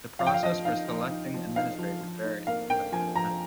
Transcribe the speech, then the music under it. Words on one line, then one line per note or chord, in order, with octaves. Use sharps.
The process for selecting Administrators varies from country to country.
F3 F5
G5
F5
F3 D#5
D#4 F5
F3
D#4
F3
D#4 F5
F3
F3
D#4
A#3 F5
A#3 G5
F3 G#5
F3 A#5